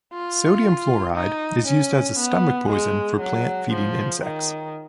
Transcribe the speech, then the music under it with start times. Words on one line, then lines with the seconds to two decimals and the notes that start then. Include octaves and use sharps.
Sodium fluoride is used as a stomach poison for plant-feeding insects.
0.13 F4
1.15 D#4
1.67 C#4
2.18 B3
2.69 G#3
3.20 F#3
3.71 F3
4.23 D#3